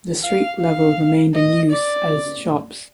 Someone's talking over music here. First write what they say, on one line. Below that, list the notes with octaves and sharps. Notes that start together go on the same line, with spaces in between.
The street level remained in use as shops.
F5
F5
D#5
D5